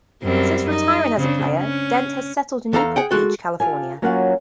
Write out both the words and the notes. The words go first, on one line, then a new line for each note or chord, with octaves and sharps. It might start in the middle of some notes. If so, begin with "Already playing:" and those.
Since retiring as a player, Dent has settled in Newport Beach, California.
F#2 G3 C4
D#4
C#3 C4 D4
C#4
E2 A4 F5 A#5
G#4 F#5 G5
G#3 F#4 A4
F4 G4 A4 G#5
F#3 A#3 C#4 F4 C#5 F#5